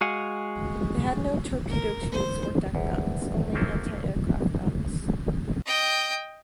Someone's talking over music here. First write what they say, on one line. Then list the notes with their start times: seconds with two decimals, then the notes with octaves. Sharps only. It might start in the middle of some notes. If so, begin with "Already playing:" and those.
They had no torpedo tubes or deck guns, only anti-aircraft guns.
0.01 G#3 F#4 F5 F#5 G#5
1.68 A#4
2.12 C5
2.74 G#1 E2
3.55 F#3 A#3 C4 E4 G#4 A4
5.66 D#5 G5